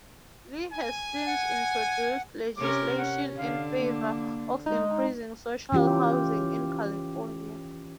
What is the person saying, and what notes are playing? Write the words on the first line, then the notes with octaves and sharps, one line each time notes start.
Lee has since introduced legislation in favor of increasing social housing in California.
G#5
F#5
C3 C#4 A#4 D6
C#4 F#5
D3 F5
A#3
G#3 D#4
E3 C#4 F4 G4